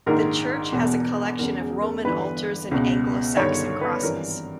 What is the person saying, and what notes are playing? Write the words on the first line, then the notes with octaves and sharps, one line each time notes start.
The church has a collection of Roman altars and Anglo-Saxon crosses.
A#1 G#2 D#3 A#4
E1 E2 B2
E1 E2 C#3 A#4
G#4
A#4
G1 G2 E3 B4
C#2 B2
G1 G2 D#3 C#5
B4
G#1 G2 E3 A#4